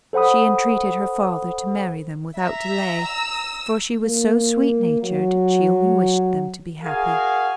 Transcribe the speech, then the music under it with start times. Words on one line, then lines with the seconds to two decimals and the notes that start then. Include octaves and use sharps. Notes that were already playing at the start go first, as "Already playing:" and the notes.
She entreated her father to marry them without delay, for she was so sweet-natured, she only wished them to be happy.
0.13 A4 C5 F#5 B5 D#6
2.38 E5 A#5
3.02 E6
4.02 A#3
5.03 F#3
6.83 F#4 G#4 A#4 F5 G#5